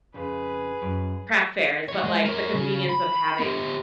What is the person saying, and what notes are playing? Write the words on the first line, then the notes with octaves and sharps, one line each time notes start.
craft fairs, but like the convenience of having
F2 C#3 G#4 B4
F#2
E3 C#5
G#3
A#4 C#5
C#3
B5
B3 G4